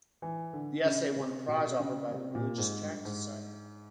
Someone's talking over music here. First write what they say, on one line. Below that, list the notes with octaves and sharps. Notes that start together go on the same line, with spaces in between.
The essay won a prize offered by the Religious Tract Society.
E3
D3
C#3
C3
B2
C#3
C3
A#2
G#2
G2
G#2